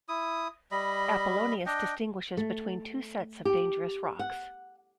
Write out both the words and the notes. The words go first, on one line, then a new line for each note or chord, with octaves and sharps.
Apollonius distinguishes between two sets of dangerous rocks.
E4 D#6
G3 D#5 B5
D4 D#5 G5
A3
G4
F#5